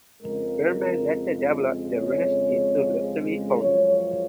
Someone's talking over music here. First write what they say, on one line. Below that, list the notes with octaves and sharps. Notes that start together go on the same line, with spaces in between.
Berman later developed the ranch into luxury homes.
F2 C#3 G#3 A#4
C#5
F#2 F3 G#3 C#5
C#5